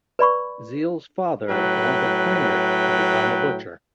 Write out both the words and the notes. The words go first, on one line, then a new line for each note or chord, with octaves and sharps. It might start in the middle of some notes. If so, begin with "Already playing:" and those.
Zille's father wanted Heinrich to become a butcher.
B4 D5 B5 C#6
A2 F#3 B4 G5